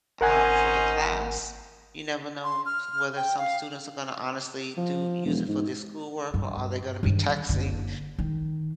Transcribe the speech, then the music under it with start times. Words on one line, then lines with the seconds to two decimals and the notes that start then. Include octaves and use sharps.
uh, for the class. You never know whether some students are gonna honestly do use it for their schoolwork, or are they gonna be texting
0.21 G#1 C#4 D#4 A#4 C5 F#5 G#5
2.44 C6
2.66 F6
3.17 G5
3.39 F5
4.77 F3
5.25 E1
5.47 G#2
6.34 G2
7.03 G2 D#3
7.49 F#1 D3
8.19 D#3